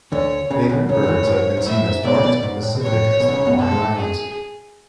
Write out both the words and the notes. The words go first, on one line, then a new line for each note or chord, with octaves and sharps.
Vagrant birds have been seen as far into the Pacific as the Hawaiian Islands.
D2 D3 C#5
C#2 C#3
C#3
B1 B2
C#2 C#3 C#5
D3
E2 E3
A2
G#2
G#2
A2 E5
G#2
B1 B2 D5
C#2 C#3
B1 B2
G#2
A2
B2
A2 C#5
B1 B2
D3
C#2 C#3
B1 B2
B1 B2 A4
G#2 G#3
G#4